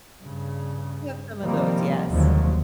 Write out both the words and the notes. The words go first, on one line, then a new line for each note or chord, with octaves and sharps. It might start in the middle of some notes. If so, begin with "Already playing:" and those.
we have some of those. Yes.
G2 C#3
C3 D#3 F3 G3 A#3 C4
F1 D#2 D3 F3 F#3 G#3